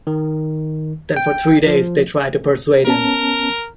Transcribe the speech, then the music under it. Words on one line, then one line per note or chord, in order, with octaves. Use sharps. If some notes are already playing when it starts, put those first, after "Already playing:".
Then for three days they tried to persuade him.
D#3
G5
F3
B3 C#4 A#4 A5